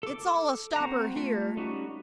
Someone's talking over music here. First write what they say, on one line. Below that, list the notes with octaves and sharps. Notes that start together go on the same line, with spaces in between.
"It's all a stopper here."
A4 D6
C4 F#4 A#5
A3 F4
G3 C#4 D#4 F#4